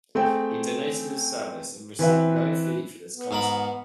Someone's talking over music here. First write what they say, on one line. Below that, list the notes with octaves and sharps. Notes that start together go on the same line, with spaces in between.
He donated his services and received no fee for this concert.
A3 C4 G#4 G5
E3 C4 B4 E5
B3
G#2 A#4 B5